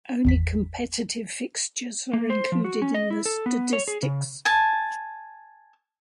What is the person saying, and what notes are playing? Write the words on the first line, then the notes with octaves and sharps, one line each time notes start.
Only competitive fixtures are included in the statistics.
G#1 E2 B6
A#3
C5
F3
F#4
C#4
D#5
E4
A4
B3
C#5
G#4
C#3
G#5 A5